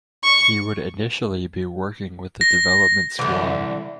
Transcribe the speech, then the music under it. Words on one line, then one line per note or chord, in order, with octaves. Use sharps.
He would initially be working with the development squad.
C#6
A#6
C2 D3 E3